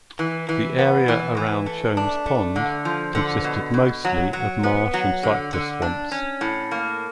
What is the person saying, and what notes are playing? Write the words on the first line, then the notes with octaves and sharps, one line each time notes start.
The area around Shone's Pond consisted mostly of marsh and cypress swamps.
E3
E3
B3
E3
E3
A3
D4
A3
D3
F3
D3
B2
B2
F#3
F#3
B3
F#3
D3
D3
D4
C#4
A2
A#3